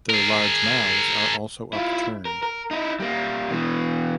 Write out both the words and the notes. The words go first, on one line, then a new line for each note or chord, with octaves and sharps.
Their large mouths are also upturned.
G#4 A#4
E4 F4
A#4
A#4
D#4 E4
G3 A#3
B2 E3